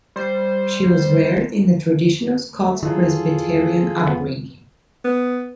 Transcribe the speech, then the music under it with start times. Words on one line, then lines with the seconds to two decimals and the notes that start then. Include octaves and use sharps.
She was reared in a traditional Scots Presbyterian upbringing.
0.16 G3 C5
2.68 A3
2.83 D#3 E3 F#3 F4 G#4 A4
4.05 F1 G#2 B3
5.05 B3